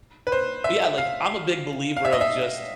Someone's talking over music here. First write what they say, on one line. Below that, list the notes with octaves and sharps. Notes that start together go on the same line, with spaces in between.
but yeah, like, I'm a big believer of just
B4
C5
E5
F5
F5
E5
D#5
E5